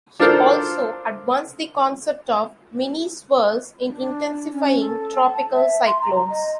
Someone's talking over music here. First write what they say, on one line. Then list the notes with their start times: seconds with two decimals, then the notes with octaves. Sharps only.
He also advanced the concept of mini-swirls in intensifying tropical cyclones.
0.19 D4 F4 A4 A#4 C5
3.90 D4
4.52 C#4
4.80 A4
5.16 A5
5.53 E5
5.86 C6
6.02 A#5
6.30 D#5